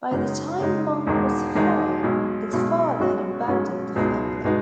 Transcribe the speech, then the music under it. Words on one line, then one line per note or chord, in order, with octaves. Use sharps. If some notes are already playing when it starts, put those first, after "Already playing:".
By the time Monk was five, his father had abandoned the family.
F#2 C#3 G#3 D#4
F#2 C#3 G#3 D#4
E1 E2 D#3 G#3 D#4
E1 E2 D#3 G#3 D#4
B1 B2 G#3
B1 B2 G#3
B1 B2 G#3 C#4 F#4
B1 B2 G#3 C#4 F#4
C#2 B2 G#3 B3 D#4
B2 G#3 B3 D#4